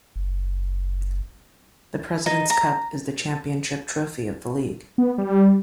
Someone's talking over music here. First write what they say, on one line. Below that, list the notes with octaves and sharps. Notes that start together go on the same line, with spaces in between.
The President's Cup is the championship trophy of the league.
F#1
D#4
A#5
B3
G3